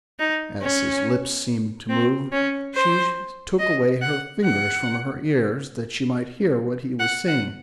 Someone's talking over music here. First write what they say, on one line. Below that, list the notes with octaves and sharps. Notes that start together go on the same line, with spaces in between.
As his lips seemed to move, she took away her fingers from her ears that she might hear what he was saying.
D#4
C#4
C4
C#4
C5
D#5
F#5
F#5
F#5
F#5